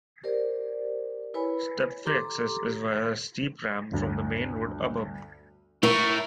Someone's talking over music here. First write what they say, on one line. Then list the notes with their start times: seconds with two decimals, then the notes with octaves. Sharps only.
Step-free access is via a steep ramp from the main road above.
0.24 G4 A#4 C5 D5
1.34 E4 B4 C#5 G#5 B5
2.05 G4 A4 A#5 C6 D6
3.91 G1 D2
5.83 A2 E4 A#4 C#6 E6